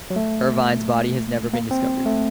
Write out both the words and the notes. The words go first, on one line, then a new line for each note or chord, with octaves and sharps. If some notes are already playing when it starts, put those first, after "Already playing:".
Irvine's body has never been discovered.
F#3
A3
A#3
C4
A3